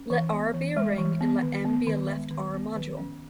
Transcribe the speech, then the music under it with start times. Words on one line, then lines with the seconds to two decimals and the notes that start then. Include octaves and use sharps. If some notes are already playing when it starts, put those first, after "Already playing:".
Let "R" be a ring, and let "M" be a left "R"-module.
Already playing: C#4
0.10 E3
0.32 B3
0.54 E3
0.77 G#3
0.98 E3
1.21 B3
1.43 D#3
1.65 B3
1.87 D#3
2.10 G#3
2.31 D#3
2.54 B3
2.75 D#3
2.97 C#4